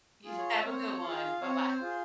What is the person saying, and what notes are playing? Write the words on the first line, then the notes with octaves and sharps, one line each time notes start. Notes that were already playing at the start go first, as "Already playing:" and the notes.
Y have a good one, buh-bye.
F4 G#4
C#5
E5
C4 C#5
F4 G#4 F5
C4 C#5
C5
F4 G#4